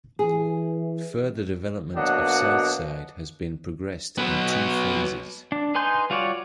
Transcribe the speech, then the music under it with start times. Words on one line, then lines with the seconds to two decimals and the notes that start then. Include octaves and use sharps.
Further development of Southside has been progressed in two phases.
0.19 E3 G#4
1.96 B2 F#3 A#3 D4 D#5 F#5
4.18 F#3 B3
5.52 D4
5.75 D#4 B4 G#5 C6 G6
6.10 G3 F4 F#4 C#5 D5